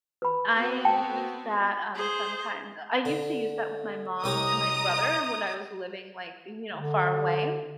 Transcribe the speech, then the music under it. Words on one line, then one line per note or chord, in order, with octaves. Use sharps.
I use that, um, sometimes. I used to use that with my mom and my brother when I was living like, you know, far away.
B4 B5
B3 C4 F#4
G5 A5
G#4 C5
D3
C2 G4 C#5 D#5 A#5 D#6
D3